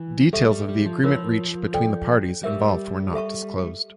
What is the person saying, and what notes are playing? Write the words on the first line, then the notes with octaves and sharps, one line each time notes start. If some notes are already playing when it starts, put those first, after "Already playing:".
Details of the agreement reached between the parties involved were not disclosed.
Already playing: E3
G3 A4 E5 A5 C#6
G3
G3
F3
F3 F4 A#4 C#5
A4 D5 G5
G3 G4 A#4 E5
A4 E5 A5 C#6